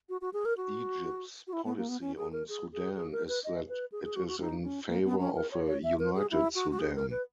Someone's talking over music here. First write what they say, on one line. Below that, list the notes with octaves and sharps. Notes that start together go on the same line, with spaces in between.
Egypt's policy on Sudan is that it is in favor of a united Sudan.
F#4
F#4
G#4
A#4
F#4
F#4
E4
B3
A#3
B3
C#4
G#4
A#4
G#4
G#4
G#4
A#4
B4
D#5
B4
G#4
G#4
F#4
F#4
D#4
C#4
A#3
B3
C#4
A#4
C#5
C#5
E5
A#4
G#4
E4
F#4
F#4
G#4
A#4
B4